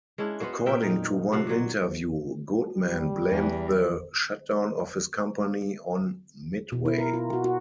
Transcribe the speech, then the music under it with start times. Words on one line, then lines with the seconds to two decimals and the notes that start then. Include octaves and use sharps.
According to one interview, Goodman blamed the shutdown of his company on Midway.
0.18 G#3 C#4 D4 E4
0.40 B3 C#4 F#4 C5
0.66 A#2 A#4 E5 G5
0.83 D#4
1.32 C3 F3 F#4 F5
1.47 A#2 F#3
2.75 G3
3.30 E2
6.72 B2
6.85 E4
6.98 A#4
7.13 F4
7.33 F#4
7.44 F#4